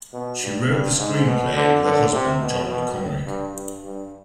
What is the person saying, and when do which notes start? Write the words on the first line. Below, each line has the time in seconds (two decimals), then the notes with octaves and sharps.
She wrote the screenplay with her husband John McCormick.
0.13 B2
0.42 G2
0.70 G2
0.98 G#2
1.27 B2
1.56 D3
1.84 D3
2.12 C3
2.41 B2
2.69 B2
3.26 G2
3.54 G2
3.83 G2